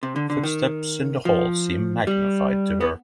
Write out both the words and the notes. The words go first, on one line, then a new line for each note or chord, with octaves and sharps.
Footsteps in the hall seem magnified to her.
C3
D3
D3
D#3
F3
G3
B3